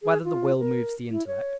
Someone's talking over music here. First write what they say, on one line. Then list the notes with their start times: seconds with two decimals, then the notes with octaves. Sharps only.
Whether the Will Moves the Intellect?
0.03 G#4
0.24 F4
0.59 A#4
1.10 E4
1.27 C#5